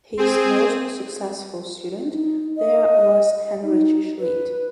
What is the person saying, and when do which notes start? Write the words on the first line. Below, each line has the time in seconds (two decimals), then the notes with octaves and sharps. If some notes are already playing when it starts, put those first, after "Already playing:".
His most successful student there was Heinrich Schlitt.
0.17 C4 G#4
2.11 D#4
2.57 D#5
3.63 D#4
4.20 B4